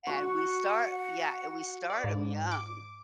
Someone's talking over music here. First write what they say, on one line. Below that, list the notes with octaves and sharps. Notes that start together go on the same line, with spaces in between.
and we start, yeah, eh, we start 'em young.
F#4 F#5 C#6
D5
G#2
D6